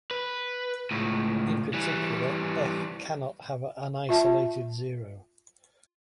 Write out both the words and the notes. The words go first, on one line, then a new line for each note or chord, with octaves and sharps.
In particular "f" cannot have an isolated zero.
B4
C#2 A2
E3 G3
F4 E5 A5